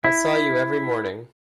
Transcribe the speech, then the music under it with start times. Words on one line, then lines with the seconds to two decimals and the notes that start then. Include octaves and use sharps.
I saw you every morning.
0.04 E4